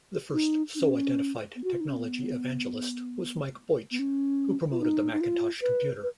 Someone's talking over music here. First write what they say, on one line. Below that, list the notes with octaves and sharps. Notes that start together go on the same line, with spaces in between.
The first so-identified technology evangelist was Mike Boich - who promoted the Macintosh computer.
D#4
D#4
C#4
B3
F#4
F4
D#4
C#4
B3
B3
C#4
F4
D#4
D#4
F4
B4
B4